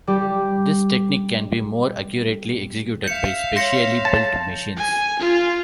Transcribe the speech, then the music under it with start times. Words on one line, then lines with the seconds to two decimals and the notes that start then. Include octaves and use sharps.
This technique can be more accurately executed by specially built machines.
0.07 G3 G4
3.04 E5 F5 G6 C#7
3.56 C#5 C6 G6 A#6 C#7
4.05 A5
4.77 G#5
5.19 F4